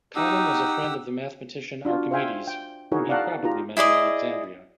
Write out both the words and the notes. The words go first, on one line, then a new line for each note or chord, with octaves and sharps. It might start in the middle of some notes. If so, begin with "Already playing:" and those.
Conon was a friend of the mathematician Archimedes whom he probably met in Alexandria.
D#4 G4 F#5 E6
D4 F4 F#4
C5 E5 F5 G5 G#5
G5
D#4 E4 F#4 G#4 A#4 C#5
D5 F5 F#5 A5 A#5
D#4 F4 G4 A#5
E4 G#4 D5 D#5